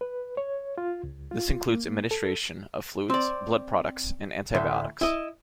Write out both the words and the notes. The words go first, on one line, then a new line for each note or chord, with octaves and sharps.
This includes administration of fluids, blood products, and antibiotics.
B4
C#5
F4
C#2
F4
A#3
A4
C4 D5
D2 A2
E4 D#5